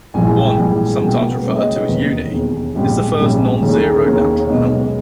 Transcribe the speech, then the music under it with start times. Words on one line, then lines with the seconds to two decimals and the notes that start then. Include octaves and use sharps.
One, sometimes referred to as unity, is the first non-zero natural number.
0.14 A#1 G#2 E3 G3 G#5
0.25 G#5
0.36 G5
0.47 G5
0.58 A#1 G#2 E3 G3
1.02 C#2 B2 G3 A#3 G5
1.15 A#4
1.30 B4
1.45 C#2 B2 G3 A#3 C#5
1.56 D#5
1.67 C#5
1.77 B4
1.88 E1 D#2 D#3 A#4
2.31 E1 D#2 D#3 G#4
2.75 A#1 G#2 G3 C#4 G4
3.19 A#1 G#2 G3 C#4
3.62 D#2 D#3 A#3 C#4 G#4
3.73 G#4
3.84 G#4
3.95 A#4
4.05 D#2 D#3 A#3 C#4 C#5
4.38 C#5
4.49 B1 B2 G#3 B3 D#5